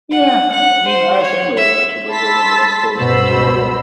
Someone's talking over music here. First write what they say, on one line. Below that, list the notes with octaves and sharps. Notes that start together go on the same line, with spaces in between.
Yeah, I I mean, I have family that actually lives over on the west coast of Australia.
F#5
F#5
C5
C#5
E5
A5 B5 C6 E6 A6 B6
C#2 G2 B2 C5 B5 E6